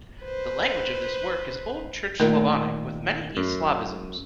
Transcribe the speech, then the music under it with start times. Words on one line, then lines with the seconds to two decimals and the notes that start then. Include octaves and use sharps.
The language of this work is Old Church Slavonic with many East Slavisms.
0.22 B4 C5
2.20 A#2 D#3 A3 A#4
3.37 F#2